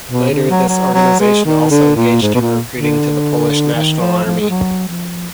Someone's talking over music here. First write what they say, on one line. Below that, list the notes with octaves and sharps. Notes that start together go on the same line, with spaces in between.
Later this organization also engaged in recruiting to the Polish National Army.
B2
D3
F#3
F#3
F#3
G#3
D#3
D3
A#2
G#2
B2
A#2
D3
D#3
F3
F3
G#3
F#3
F3